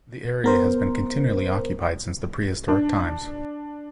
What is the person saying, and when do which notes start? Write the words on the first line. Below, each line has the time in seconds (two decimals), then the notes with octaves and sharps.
The area has been continually occupied since the prehistoric times.
0.44 B3 A#4 C5
2.68 D4